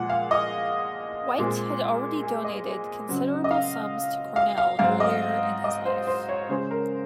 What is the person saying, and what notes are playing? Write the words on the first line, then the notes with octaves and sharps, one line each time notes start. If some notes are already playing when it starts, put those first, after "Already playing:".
White had already donated considerable sums to Cornell earlier in his life.
Already playing: A#2 F3 G#3 F#5
F5
D#5
A#2 G#3 C4
G#4
D#5
C#3 F#3 C4
D#5
F5
F5
F5
G#2 F#3 C4 F5
D#5
D#5
C5
C5
C#5
C#3 G#3 C#4 C5
A#4